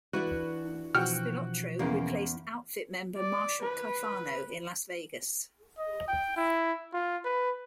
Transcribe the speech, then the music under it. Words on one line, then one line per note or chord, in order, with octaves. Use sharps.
Spilotro replaced Outfit member Marshall Caifano in Las Vegas.
E3 D4 E4 F#4 B4
B2 E3 F3 F#4 F#5 G5 F6
E2 C#3 A#3
D5
B4
D#5
G5
E4
F4
B4